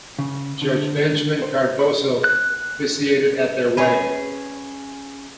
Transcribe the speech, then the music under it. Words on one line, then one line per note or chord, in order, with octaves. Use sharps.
Judge Benjamin Cardozo officiated at their wedding.
C#3
D3
C5
B5
F#6
C#4 G#4 B4